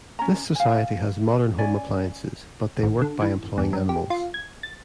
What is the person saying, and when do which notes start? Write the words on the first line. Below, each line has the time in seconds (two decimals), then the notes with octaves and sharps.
This society has modern home appliances, but they work by employing animals.
0.19 C#4 A#5
0.55 F5 G#5
1.59 C#4 D5 G#5
2.83 G#1
3.02 D3
3.22 E3
3.58 E2
3.73 F#2
3.89 G4
4.10 F4
4.34 G#6
4.63 A6